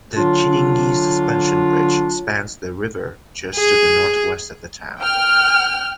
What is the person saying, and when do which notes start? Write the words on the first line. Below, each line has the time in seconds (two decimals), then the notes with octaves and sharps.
The Chinyingi Suspension Bridge spans the river just to the north-west of the town.
0.16 D3 F#3 D4 F4
3.55 G#4
4.99 G5 F6